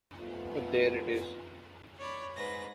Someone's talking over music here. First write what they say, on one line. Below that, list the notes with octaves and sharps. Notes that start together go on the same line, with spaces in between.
But there it is.
F2 C3 A3 B3 F4
C#5 D5 B5
G#2 B4 A#6